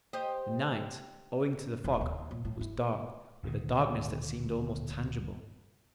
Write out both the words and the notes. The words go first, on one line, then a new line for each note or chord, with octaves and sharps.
The night, owing to the fog, was dark with a darkness that seemed almost tangible.
G4 C5 D#5
E1
D#2
A#2
A2
E4
D1 A#2 D#3